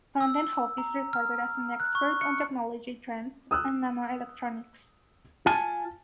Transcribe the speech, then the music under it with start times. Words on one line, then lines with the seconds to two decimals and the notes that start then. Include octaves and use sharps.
Van den hove is regarded as an expert on technology trends and nano electronics.
0.21 E6
0.78 A#5
1.13 F6
1.80 F#6
1.95 C#6
2.21 C#7
3.51 D#6 E6 F#6
5.46 F4 G#5 A5